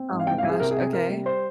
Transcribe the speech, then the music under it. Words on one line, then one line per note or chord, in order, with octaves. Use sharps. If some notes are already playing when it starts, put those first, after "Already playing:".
Oh, my gosh. Okay.
Already playing: C4
G#2
F5
C2 G5
F5
C2
G#4
C3 A#4
G#4
C3
G#4
C3 A#4
G3
C5